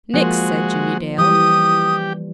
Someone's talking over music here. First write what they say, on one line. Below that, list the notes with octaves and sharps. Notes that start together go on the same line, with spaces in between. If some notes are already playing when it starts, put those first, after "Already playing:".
"Nix!" said Jimmie Dale.
F3 G#3 A#3 F#4 C5
E3 G3 G4 D#6